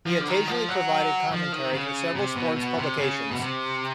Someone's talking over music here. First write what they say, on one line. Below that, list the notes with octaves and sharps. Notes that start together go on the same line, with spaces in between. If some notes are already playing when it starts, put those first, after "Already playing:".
He occasionally provided commentary for several sports publications.
F3
D3
D#3
F3
F#3
F3
D#3
C#3
C3
B2
B2
C3
C#3
B2
C3